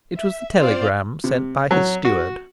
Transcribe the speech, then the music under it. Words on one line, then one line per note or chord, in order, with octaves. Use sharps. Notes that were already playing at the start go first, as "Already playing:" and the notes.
It was the telegram sent by his steward.
E5
C4 F4 C5 D5 F5
C3
F#3
F#4